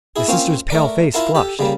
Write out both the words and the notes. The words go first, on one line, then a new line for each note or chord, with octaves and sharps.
The sister's pale face flushed.
E4 G#4
A#3 C4 C#4 F4
A3 A#4 D5
E4 F4 A#4 F5 A5
G4 A4
C#3 G3 A#3